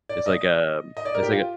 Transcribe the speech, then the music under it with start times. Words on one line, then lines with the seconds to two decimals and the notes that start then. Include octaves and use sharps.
it's like a it's like a
0.09 D5
0.26 D#5
0.97 D#5
1.05 D5
1.15 A#4
1.23 G4
1.32 F4